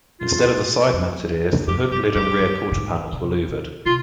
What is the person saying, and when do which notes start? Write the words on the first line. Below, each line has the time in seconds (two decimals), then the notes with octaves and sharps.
Instead of the side-mounted "ears", the hood lid and rear quarter panels were louvered.
0.20 A#2 F4
0.57 A#2
0.93 F2
1.67 F2 G4
1.91 G2 G4
2.15 G2 G4
2.39 G2
2.72 A#2
2.77 G#2
3.13 C3
3.49 A#2
3.86 C3 F4